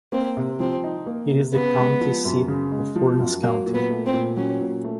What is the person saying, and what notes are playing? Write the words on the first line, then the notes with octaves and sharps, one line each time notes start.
It is the county seat of Furnas County.
A#3 C4
C3
F3 C4
D#4
A#3
C3
C#3 B3
G#3
F3
F#2
C#3
G#3
F3
F#2
F#3 A#3
A#2
B3
A3
C4
A#2
F#3 C#4
A#2
A3